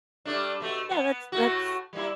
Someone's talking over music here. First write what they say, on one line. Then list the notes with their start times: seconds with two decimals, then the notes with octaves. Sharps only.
yeah, that's that's
0.25 G3 A3 D4
0.60 B2 A3
0.91 B3
1.32 A2 A3 F#4
1.93 G3 A#3 E4